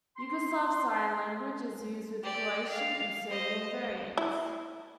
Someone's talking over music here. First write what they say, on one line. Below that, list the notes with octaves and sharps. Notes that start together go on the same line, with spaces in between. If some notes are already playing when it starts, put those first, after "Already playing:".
Yugoslav Sign Language is used with Croatian and Serbian variants.
C6
G4 D5
F5
C5 D#5
E4